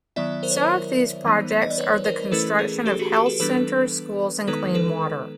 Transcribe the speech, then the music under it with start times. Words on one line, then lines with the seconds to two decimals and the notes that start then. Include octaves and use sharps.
Some of these projects are the construction of health centers, schools and clean water.
0.16 D#3 F#3 B3 E4 D5 E5
0.43 A#4 C5
0.51 C#5
0.56 A#4 C5
1.24 E3 G3 B3 D#4
1.62 D#5
1.70 D5
1.78 B4 C#5
2.05 A#4 C5
2.31 E3 A3 C#4 E4 A4 B4
2.59 G#4 A#4
2.86 G4 A4
2.99 F#4 G#4
3.13 G4 A4
3.26 A4 B4
3.40 E3 G3 B3 D4 A4 B4
4.47 D#3 G#3 B3 D#4 A4 B4
4.74 A4 B4